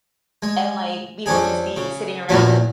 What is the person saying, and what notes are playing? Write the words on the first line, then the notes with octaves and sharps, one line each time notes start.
and, like, we would just be sitting around him.
G#3
F2 C#4 D4 G#4
C#3
E2 G2 A#2 F3 F#3 C#4